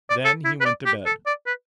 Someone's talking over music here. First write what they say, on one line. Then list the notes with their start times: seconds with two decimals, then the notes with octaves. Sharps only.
Then he went to bed.
0.10 D5
0.25 A4
0.44 E4
0.61 B4
0.65 D5
0.86 G4
1.06 A4
1.26 D5
1.46 B4